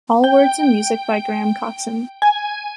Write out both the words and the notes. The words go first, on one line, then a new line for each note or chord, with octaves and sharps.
All words and music by Graham Coxon.
G5
G#5